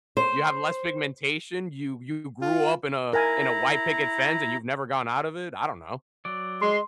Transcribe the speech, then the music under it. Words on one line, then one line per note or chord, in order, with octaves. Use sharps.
you have less pigmentation, you you grew up in a in a white picket fence, and you've never gone out of it, I don't know.
C5
F4
E4 A#4 G#5 A#5
F#3 D5
G#3 D#5 C6